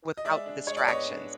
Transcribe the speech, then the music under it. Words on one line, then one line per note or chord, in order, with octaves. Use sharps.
without the distractions.
D#5
G#3 D5 E5
D4
G#3 C#5
D5
B3 C#5 D#5
D4